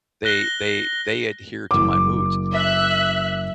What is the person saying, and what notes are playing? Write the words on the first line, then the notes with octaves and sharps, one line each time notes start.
they they they adhere to my moods,
F#6 A#6 G7
F#1 D6
E5 F#6